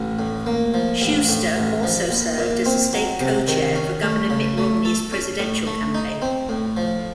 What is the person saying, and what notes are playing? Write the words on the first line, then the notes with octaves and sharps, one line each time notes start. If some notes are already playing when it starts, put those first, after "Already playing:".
Shuster also served as a state co-chair for Governor Mitt Romney's Presidential campaign.
Already playing: A1
A2
A#3
F3
A1
A2
A1
F3
A#1
A#2
C4
F#3
C3
D#3
C#4
A3
C#3
A3
A4
C#4
A2
A3
D#4
C4
A2
F3